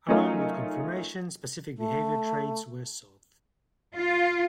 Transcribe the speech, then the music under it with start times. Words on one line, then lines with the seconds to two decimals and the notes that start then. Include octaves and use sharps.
Along with conformation, specific behaviour traits were sought.
0.08 F#3 A3 C#4 D#4 F4 A#4
1.77 A3
3.96 F4